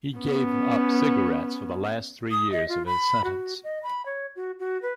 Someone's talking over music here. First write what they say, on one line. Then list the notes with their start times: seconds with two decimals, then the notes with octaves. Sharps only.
He gave up cigarettes for the last three years of his sentence.
0.20 B3 C#4
2.31 D#6
2.52 D#5
2.69 F4
2.86 B5
3.24 F#4
3.64 D#5
3.83 B5
4.06 C#5
4.36 F#4
4.59 F#4
4.82 B4